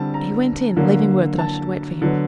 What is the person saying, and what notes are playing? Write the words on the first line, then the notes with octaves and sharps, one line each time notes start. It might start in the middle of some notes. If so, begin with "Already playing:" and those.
He went in, leaving word that I should wait for him.
Already playing: D3 G3 C4 A5
A#5
D3 F#3 A#3
A5
D3 F#3 B3